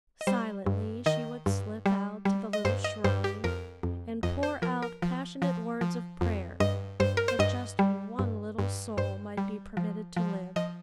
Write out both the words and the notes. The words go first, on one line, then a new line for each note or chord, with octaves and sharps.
Silently she would slip out to the little shrine and pour out passionate words of prayer that just one little soul might be permitted to live.
D#5
G3 C5
G2
D#3 D#5
G2
G3
G3
D#5
G2 C5
D#5
G2 C5
G4
F2 A#4
F2
F2 D#5
C5
F3 A#4
A#4
F3
F3
F3
F2
G2 D#5
G2 C5
A#4
C5
G2 D#5
G3
G2
G2
G2 C5
G3
F3
F3
F3 D#5